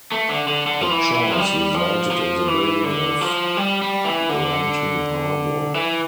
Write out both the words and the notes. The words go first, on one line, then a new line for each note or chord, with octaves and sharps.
The choice resulted in the building of Granton Harbour.
A3
D3
D3
D3
F3
E3
E3
F3
G3
F3
F3
E3
D3
F3
G3
G3
E3
D3
E3